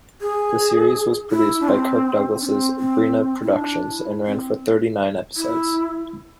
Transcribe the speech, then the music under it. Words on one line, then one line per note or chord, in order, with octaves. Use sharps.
The series was produced by Kirk Douglas' Bryna Productions and ran for thirty-nine episodes.
G#4
E4
D4
C4
D4
C4
C4
E4
D4
E4
C4
E4